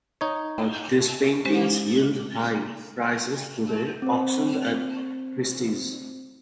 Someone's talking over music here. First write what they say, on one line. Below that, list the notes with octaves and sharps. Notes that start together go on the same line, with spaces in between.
These paintings yield high prices today, auctioned at Christie's.
D#4 C#5
G#3 C#4 G4 C5
C4 C5